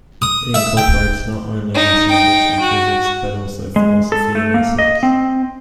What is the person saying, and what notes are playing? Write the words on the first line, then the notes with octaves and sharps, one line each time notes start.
It incorporates not only mathematics and physics, but also philosophy and ethics.
D#6
E5
G5
D#4
D#4 G5
F#4
G#3
A4
A3
A#3
D#5
C4